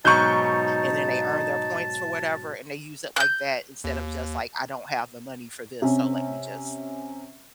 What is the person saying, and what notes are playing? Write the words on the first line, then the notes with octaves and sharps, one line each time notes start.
and then they earn their points for whatever and they use it like that instead of just, like, "I don't have the money for this, so let me just,
G#2 B2 F#3 D#4 A5 C#6 G6
F#6 G6
D#2
C3 C#4